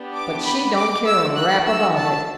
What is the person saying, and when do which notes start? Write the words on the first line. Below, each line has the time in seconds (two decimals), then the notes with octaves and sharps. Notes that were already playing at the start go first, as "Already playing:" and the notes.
But she don't care a rap about it.
Already playing: B3 D4 G4
0.14 D6
0.45 B5
0.75 D6
1.05 A3 D4 F#4 A4 E6
1.35 F#6
1.66 E6
1.96 A5